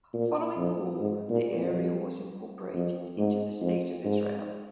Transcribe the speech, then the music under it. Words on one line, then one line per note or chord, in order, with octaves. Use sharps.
Following the war, the area was incorporated into the State of Israel.
A#2
F2
G#2
A#2
F2
F2
G#2
F2
G#2